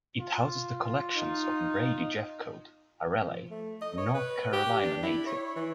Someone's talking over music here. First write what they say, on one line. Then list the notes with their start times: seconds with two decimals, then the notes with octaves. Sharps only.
It houses the collections of Brady Jefcoat, a Raleigh, North Carolina native.
0.20 F4
1.15 D#4
3.21 F3
3.50 A3
3.82 D#5
3.97 C#5
4.14 B4
4.52 G4
4.81 D4
5.03 E4
5.26 C#5
5.56 E3